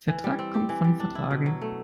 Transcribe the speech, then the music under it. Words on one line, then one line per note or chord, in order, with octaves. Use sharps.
Vertrag kommt von vertragen.
E3
G3
C4
G4
E3
G3
D4
E4
B2
F#3
A3